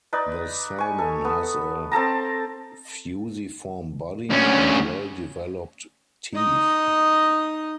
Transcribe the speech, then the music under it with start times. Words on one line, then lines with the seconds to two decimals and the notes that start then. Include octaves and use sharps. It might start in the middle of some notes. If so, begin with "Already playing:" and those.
The salmon has a fusiform body, and well-developed teeth.
0.13 D#4 B4 D5
0.78 G#5 C#6
0.98 A4
1.25 B3
1.91 C4 A4 A5 A#5
4.30 D2 C#4
6.35 D#4 D#5